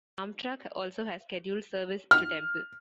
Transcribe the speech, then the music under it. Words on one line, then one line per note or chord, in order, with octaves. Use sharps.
Amtrak also has scheduled service to Temple.
F6